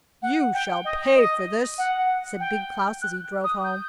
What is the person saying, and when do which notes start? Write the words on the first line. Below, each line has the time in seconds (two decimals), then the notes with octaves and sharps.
'You shall pay for this!' said Big Klaus as he drove home.
0.22 F#5
0.53 G5
0.84 D#5
1.15 D#5
1.78 F#5
2.39 G5
3.01 F#6
3.44 D#6
3.64 G6